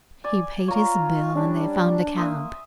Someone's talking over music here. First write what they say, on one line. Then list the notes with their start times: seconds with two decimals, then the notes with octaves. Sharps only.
He paid his bill and they found a cab.
0.24 D5 G#5
0.68 F4 C#5 A#5
1.35 G3 C#4 D4
2.16 A#3 E5 C6 D#6